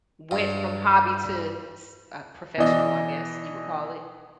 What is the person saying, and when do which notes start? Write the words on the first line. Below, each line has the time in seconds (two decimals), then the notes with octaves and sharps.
went from hobby to, s uh, professional, I guess, you would call it,
0.31 G2
2.57 B2 E3 D5 D#5